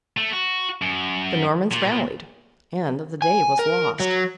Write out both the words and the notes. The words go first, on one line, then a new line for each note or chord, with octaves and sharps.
The Normans rallied, and the day was lost.
A3
F#4
F#2
A#2
G#5
A#4
F#3